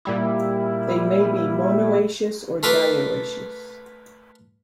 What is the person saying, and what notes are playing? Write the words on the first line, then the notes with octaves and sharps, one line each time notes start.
They may be monoecious or dioecious.
A#2 G3 E4
A3 F4 A#4 B4 D5 A5